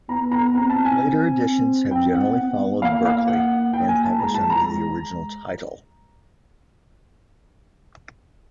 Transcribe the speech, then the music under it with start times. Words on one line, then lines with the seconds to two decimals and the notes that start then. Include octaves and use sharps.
Later editions have generally followed Berkley and published under the original title.
0.09 B3 A#5
0.32 A#5
0.55 C4 A#5
0.70 A5
0.85 G#5
1.00 C4
1.46 C4
1.91 C4 G5
2.14 F#5
2.37 B3
2.82 A#3 F5
3.05 F5
3.27 F#5
3.73 A#3 G5
3.88 G#5
4.04 A5
4.19 G#3 A#5
4.34 A5
4.50 A#5
4.65 G#3